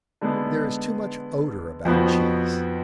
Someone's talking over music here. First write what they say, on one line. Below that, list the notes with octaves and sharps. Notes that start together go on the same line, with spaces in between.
There is too much odour about cheese.
D3 G#3 B3
F2 F3 B3 F#4